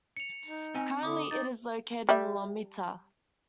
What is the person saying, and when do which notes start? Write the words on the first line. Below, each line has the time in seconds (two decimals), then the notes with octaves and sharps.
Currently it is located in Lomita.
0.17 C#7 F7
0.45 D#4
0.74 C4 G#5
1.03 D3 D6 D#6
1.31 D#4 A6
2.09 G3 E5